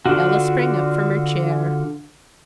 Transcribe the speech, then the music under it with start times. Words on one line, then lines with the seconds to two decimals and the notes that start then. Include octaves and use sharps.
Ella sprang up from her chair.
0.06 D3 D4 F4 F#4